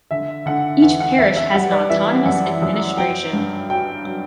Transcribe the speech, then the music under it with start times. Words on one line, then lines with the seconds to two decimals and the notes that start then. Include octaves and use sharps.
Each parish has an autonomous administration.
0.11 D3 E5
0.46 D3 F#5
0.82 E2 F#5
1.00 F#5
1.18 E2 E5
1.37 E5
1.54 G3 F#5
1.72 D5
1.90 E3 E5
2.25 F#2 F#5
2.62 F#2
2.97 F#3 G5
3.33 G2
3.70 F#3 G5
4.05 F#3